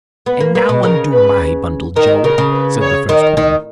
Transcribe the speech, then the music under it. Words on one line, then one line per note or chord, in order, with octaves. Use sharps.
"And now undo my bundle, Joe," said the first woman.
B3 B4
A#3
A#3 B4
B2
C#3 A#4
B4
D#3 A#4
C#3 A#4
C#3
B4
C#5
D#3 A#4
D#3